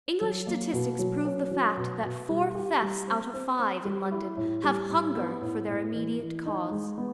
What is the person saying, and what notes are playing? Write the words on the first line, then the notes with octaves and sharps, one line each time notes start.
English statistics prove the fact that four thefts out of five in London have hunger for their immediate cause.
F#3
A#3
B2
F#3
C#4
F#3
B2
B2
G3
G4
G3
C4
C4
C4
G3
E4
A2
G3
A2
B3
A2
A2
E3
E3
D#4
G#3
B3